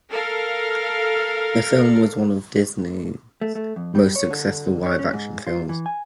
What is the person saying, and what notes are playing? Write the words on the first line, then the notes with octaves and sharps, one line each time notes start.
The film was one of Disney's most successful live-action films.
A4 A#4 F5
A3
A3
F2
G3
C#5
D3
C#5
C#4
G#2
F4
E3
G#5